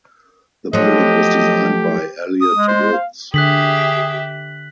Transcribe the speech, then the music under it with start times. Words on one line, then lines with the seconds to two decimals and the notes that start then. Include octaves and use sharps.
The building was designed by Elliott Woods.
0.73 F3 F#3 A3 G4 D#5
2.41 D#6
2.54 G#3
2.68 C5
2.93 F5
3.34 D3 G4 G#4 E5 F#6 B6 F#7